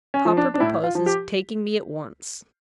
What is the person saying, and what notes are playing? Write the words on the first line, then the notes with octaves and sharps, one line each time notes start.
"Papa proposes taking me at once."
C#4
F3
D4
D4
A2 E4
F4
F3
G4